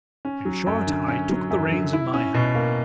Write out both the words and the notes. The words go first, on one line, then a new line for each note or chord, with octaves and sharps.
In short, I took the reins in my hand.
C#4
F#3
F#2
D3
C#4
F#3
F#2
D3
E4
C#4
B2
A#3